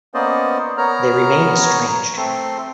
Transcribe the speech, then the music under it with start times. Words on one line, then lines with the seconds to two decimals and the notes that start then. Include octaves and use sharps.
They remain estranged.
0.14 A#3 B3 C#4 C5 D5 D#5
0.78 B3 A#4 C#5 A#5 F6
2.17 A3 C4 A4 C6